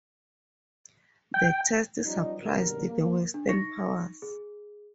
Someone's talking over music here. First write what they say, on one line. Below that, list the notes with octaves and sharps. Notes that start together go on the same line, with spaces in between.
The test surprised the Western powers.
G5
F3 G3 C#4 D#4
F#1 B2 D3 F#3 G3 A#4
A#3
D4
D#4 C#6 A#6 C#7
G#4